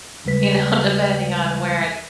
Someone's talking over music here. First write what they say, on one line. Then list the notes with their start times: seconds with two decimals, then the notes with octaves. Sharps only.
you know, depending on where it
0.25 D#2 C#3 G3 G#3 B4 B6